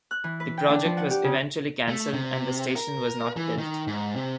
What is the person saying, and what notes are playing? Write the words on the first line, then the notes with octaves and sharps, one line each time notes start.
The project was eventually cancelled and the station was not built.
F#6
E3
B4
G5
D4
F3
F#5
G4
C#3
A3
C3
A#4
E3
D#3
G#2
C3